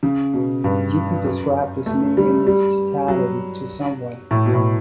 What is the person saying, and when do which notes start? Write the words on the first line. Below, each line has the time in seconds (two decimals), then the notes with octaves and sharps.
You could describe this meme in its totality to someone.
0.03 C#3
0.34 B2
0.64 G2
1.24 F#2
1.86 A3
2.17 G3
2.47 G3
3.08 F#3
4.31 A2
4.46 B2
4.54 A2